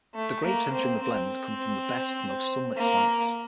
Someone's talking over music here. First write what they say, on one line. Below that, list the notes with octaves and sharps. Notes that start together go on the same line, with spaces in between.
The grapes entering the blend come from the best, most sunlit sites.
A3
A#3
C4
C4
A#3